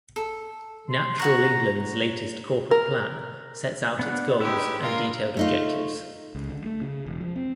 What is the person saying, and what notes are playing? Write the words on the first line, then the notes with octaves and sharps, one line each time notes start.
Natural England's latest corporate plan sets out its goals and detailed objectives.
A4
C6
F#4 F#5 A#5 C#6
A#4
B3 D4 F#5
G#3 D#4 G4 B4 E6
A#3 D4 F4 A#4 F5
A3 D#4 F4
C#2
D3
A3
C#3
E1
F3
C4